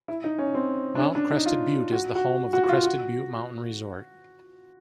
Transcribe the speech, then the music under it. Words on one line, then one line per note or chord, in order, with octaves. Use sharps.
Mount Crested Butte is the home of the Crested Butte Mountain Resort.
E4
D#4
C#4
C4
D4
C#4
D4
D#4
F4
F#4
F#4
F#4
F#4
F4
F#4